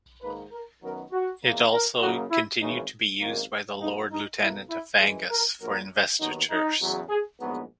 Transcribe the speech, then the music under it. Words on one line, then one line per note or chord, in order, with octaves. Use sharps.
It also continued to be used by the Lord Lieutenant of Angus for investitures.
G#2 D#3 A#3 B4
A#4
F#2 D#3 F#3 B3 A#4
F#4
E2 B2 A#3
A#4
F#2 C#3 F#3 A#3 F#4
E4
G#1 F#2 C#3 E3 D#4
G#1 F#2 D#3 A#3
B1 B2 A#3 D#4
D#4
B1 B2 A#3 E4
E4
F#2 E3 G#3 G#4
A#4
A#1 A#2 F#3 A#3 A#4
D#2 D#3 F#3 B3 D#4
D#4
E2 C#3 F#3
G#4
A#1 G#2 F#3 B3